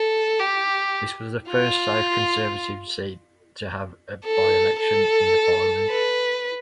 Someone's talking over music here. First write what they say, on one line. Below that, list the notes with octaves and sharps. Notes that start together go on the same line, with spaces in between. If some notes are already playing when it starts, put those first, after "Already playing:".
This was the first safe Conservative seat to have a by-election in the Parliament.
Already playing: A4
G4
F4
A4
A4
B4